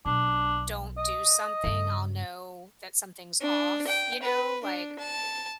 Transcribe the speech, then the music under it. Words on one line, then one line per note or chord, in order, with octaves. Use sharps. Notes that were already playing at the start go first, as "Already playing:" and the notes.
don't do something, I'll know that something's off, you know? Like,
B1 D4
D#5
G2 C#3
D4
G5
B4
D4
A5